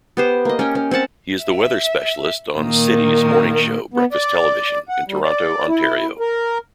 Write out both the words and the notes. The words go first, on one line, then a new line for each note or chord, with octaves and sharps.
He is the "weather specialist" on City's morning show "Breakfast Television" in Toronto, Ontario.
B3 G4 C5
A#3 D#5
C#4 A#4 G5
C#4
C4 C#4 F#5 A5
E5
A#2 D#3 A#3
B3
D5
F#5
G3
D5
E4
A#4